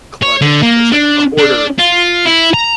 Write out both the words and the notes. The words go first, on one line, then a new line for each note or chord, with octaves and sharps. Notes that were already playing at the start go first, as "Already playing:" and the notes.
clutter. It was, like, a hoarder
C#5
D3
A#3
D4
D4
F4
E4
A#5